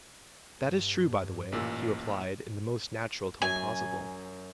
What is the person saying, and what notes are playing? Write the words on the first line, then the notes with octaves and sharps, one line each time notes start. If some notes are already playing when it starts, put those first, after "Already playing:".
"That is true, by the way," he replied, in the most natural tone possible.
G2
A1 A#2 E6
F#2 G#5